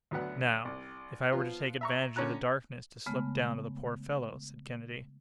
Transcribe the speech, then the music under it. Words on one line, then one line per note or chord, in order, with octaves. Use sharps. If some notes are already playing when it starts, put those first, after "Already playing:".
"Now, if I were to take advantage of the darkness to slip down to the poor fellow?" said Kennedy.
D2 F#3 B3 F#5
C2
F3 B3 F4
E5 A#5 C#6
D3 C#4 A#5 F#6
C#3 G#3 A3 B3